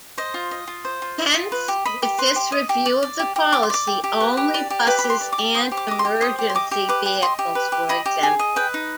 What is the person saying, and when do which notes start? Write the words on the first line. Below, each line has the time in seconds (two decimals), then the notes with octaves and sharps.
Hence, with this review of the policy, only buses and emergency vehicles were exempted.
0.18 C5 D#5
0.34 F4
0.51 D#5
0.67 F4
0.85 C5
1.02 F4
1.18 D#5
1.35 F4
1.52 B4
1.68 G4
1.85 D#5 B5
2.02 G4
2.18 B4 C6
2.36 G4
2.52 D#5
2.69 G4
2.86 D5
3.03 D5
3.19 G4
3.36 G4
3.53 D5 D6
3.63 C6
3.70 D5 D6
3.87 G4
4.04 G4
4.20 B4
4.37 G4
4.54 D5
4.70 G4
4.87 B4 G5
4.99 B5
5.04 G4
5.10 C6
5.21 D5
5.32 D6
5.38 G4
5.54 C5 D#6
5.72 G4
5.77 D6
5.88 D#5 D6
5.99 C6
6.05 G4
6.21 C5 D#6
6.39 G4
6.50 C6
6.55 D#5 D6
6.71 G4
6.89 B4 D6
7.06 G4
7.22 D#5 C6
7.39 G4
7.55 B4
7.72 G4
7.89 D#5 B5
8.06 G4
8.23 G#4 G#5
8.39 D#5
8.56 B4 G5
8.74 D#4